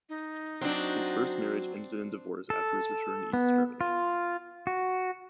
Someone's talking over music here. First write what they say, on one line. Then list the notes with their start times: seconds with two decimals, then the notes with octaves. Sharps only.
His first marriage ended in divorce after his return to East Germany.
0.09 D#4
0.61 F#3 C4 D4 F#4
2.50 A4
3.33 B3
3.81 F4
4.67 F#4